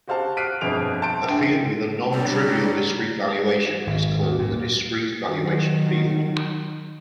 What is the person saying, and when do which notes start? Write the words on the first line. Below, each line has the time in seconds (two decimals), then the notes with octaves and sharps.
A field with a non-trivial discrete valuation is called a discrete valuation field.
0.07 F#4 G4 C5 F5 F#5 A5
0.37 F6 F#6 B6 C7 D7 D#7
0.61 G1 F2 B2 G#4 D7 F7
1.02 A5 C6 G6 D7
1.27 A#1 D3 G5
2.12 D3 F#3 G3
3.87 G#1
4.21 D#2
4.39 A#2
5.30 D#3 F#3